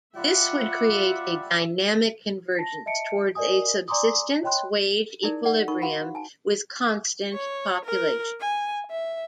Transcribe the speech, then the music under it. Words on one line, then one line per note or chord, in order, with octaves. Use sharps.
This would create a dynamic convergence towards a subsistence-wage equilibrium with constant population.
G3 F4 G4 D5 E5 F#5
A5 A#6
D#5 E5 A5 C#7 D7
A#4 D5 D#5 G#5 D#6
D5 G#5 A#5 C6 D6 D#6
C#5 D#5 G5 B5 C6 F#6
D#4 E4 G#4 A#4 D5
D5 F#5
D#4 A#4 B5 C#6
F#4 G#4 C5 F5 F#5 B5
F#4
G#5 A5
C#5
A#4
G#5
E5